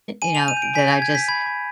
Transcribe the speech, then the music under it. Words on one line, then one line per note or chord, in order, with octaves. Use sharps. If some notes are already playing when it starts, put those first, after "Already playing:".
you know, that I just
G#5 D#7
G6 F7
D#7
G6
D7
G#5 B6
G#5 G#6
G#6
G6 B6
B5 G#6
B5